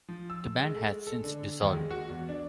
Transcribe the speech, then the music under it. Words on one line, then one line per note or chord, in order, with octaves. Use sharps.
The band has since dissolved.
F3
E6
G#3
A3
G#3
A4
D3
D#2
G#3
F#4
E2
D4